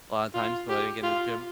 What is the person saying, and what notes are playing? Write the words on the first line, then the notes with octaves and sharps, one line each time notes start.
A lotta times when I didn't get in the gym.
F4
G4
F4